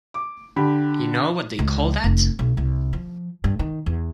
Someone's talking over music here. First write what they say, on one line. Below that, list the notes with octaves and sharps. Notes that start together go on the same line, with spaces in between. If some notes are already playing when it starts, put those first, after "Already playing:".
You know what they call that?
D6
D3 G4 B5
C#2
F1
B1
C2
F3
G2
D#3
E2